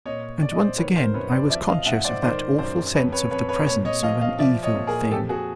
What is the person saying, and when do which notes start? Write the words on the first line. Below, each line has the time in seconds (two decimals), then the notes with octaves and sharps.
And once again I was conscious of that awful sense of the presence of an evil thing.
0.06 A#2 C#5 D#5
0.42 A#2 D5
0.51 D#5
0.60 C5 D5
0.78 D#3 B4 C#5
0.96 A#4 C5
1.14 F#2 B4 C#5
1.32 C5 D5
1.50 F3 D5 E5
1.68 D#5 F5
1.86 G#2 E5 F#5
2.04 C5 D5
2.22 D#3 C5 D5
2.59 F#2 C5 D5
2.95 F2 B4 C#5
3.12 B4 C#5
3.31 F2 B4 C#5
3.49 B4 C#5
3.67 A#2 B4 C#5
3.85 C#5 D#5
4.03 F3 D#5 F5
4.21 D#5 F5
4.39 F3 D5 E5
4.63 C#5 D#5
4.75 A#2
4.87 G#4 A#4
5.11 F2 G4 A4
5.29 F#4 G#4